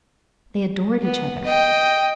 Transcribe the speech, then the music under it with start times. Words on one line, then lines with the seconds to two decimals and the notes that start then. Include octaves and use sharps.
They adored each other.
1.03 B3
1.45 D#5 G5